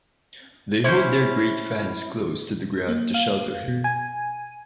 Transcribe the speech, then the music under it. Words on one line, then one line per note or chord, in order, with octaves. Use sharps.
They hold their great fans close to the ground to shelter him.
C#4 E4 C5
A#3
F5
B2
G#5